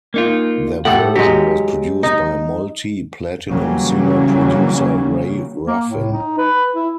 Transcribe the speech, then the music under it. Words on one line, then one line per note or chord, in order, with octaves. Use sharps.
Their version was produced by multi-platinum singer producer Ray Ruffin.
A#3 D#4 F4
A2 G4 A4 F#5
F#3 G#3 G4
D#4
C#3 E3 F#3 G3 A#3 C#4
A#3
A2
D#4
B4
E4